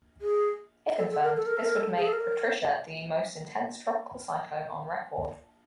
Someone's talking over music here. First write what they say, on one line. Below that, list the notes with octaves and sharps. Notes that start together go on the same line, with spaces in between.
If confirmed, this would make Patricia the most intense tropical cyclone on record.
G#4
A4
A4
A#4
A4
A#4
A4
A#4
A4
G#4
A4
A#4